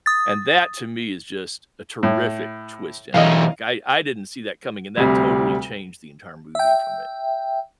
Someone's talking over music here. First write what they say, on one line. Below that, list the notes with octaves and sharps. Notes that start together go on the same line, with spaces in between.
and that to me is just a terrific twist ending, like, I I didn't see that coming, and that totally changed the entire movie for me.
D#6 A6
A2
B1 E3 D#5 F5
D2 C3 G3
E5 G5